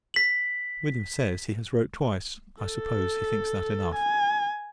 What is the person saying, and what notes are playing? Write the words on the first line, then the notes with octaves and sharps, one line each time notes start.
William says, he has wrote twice; I suppose, he thinks that enough.
B6 F#7
A4
G#5